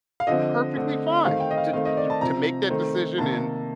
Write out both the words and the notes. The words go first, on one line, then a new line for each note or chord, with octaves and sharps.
Perfectly fine to to to make that decision and
F5
D3 F3 C4 D#5
D3 A3 C4
D#3 A3 C4 F5
G5
D#5
F5
D#3 A3 C4 F5
D#5
D5
A5
C3 F3 C4 A#5
D#3 A3 C4
C3 D#3 A#3 A5